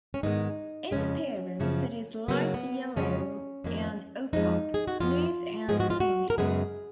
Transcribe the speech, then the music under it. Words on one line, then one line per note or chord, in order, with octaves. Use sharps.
In appearance, it is light yellow and opaque, smooth and creamy.
C#4
G#2 D#3 G#3 B3 D#4
F2 C#3 G#3 C#4
F#2 C#3 F3
C#3 F#3 A#3 B3
B3
F2 C#3 F3 G#3 C#4
F2 D#3 A#3
F2 F3 G#3 D#4
G#4
F#4
F2 F3 B3 F4
G#2 F3 G#3 B3 G#4
F#4
F4
F#4
A#4
F#2 C#3 G#3 B3 G#4